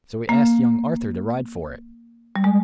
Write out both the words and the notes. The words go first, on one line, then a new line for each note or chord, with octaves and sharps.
So he asked young Arthur to ride for it.
A#3
G3
G#3